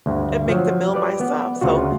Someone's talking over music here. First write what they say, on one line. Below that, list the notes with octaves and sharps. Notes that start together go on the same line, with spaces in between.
and make the meal myself. So
D2 G2
F3 F#3
G4 B4 D5
B3
D2 C#3 F4 F#4